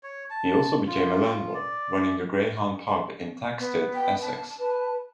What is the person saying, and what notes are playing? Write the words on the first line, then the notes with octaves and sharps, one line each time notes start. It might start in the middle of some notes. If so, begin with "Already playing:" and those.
He also became a landlord, running the Greyhound pub in Thaxted, Essex.
C#5
A5
F4
D5
B3
G5
A5
B4